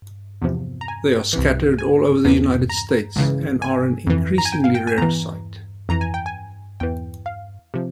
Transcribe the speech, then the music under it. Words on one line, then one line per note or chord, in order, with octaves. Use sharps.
They are scattered all over the United States and are an increasingly rare sight.
E2 C3 F3
A#5
G#5
C2 C3 E3
G#5
E2 C3 E3
A#5
C#2 C#3 E3
G#5
F2 E3
A#5
G#5
G5
F5
G5
G#5
E2 E3 A#5
F2 E3 A#5
G#5
G5
G#5
E2 E3 G5
F5
C3 F3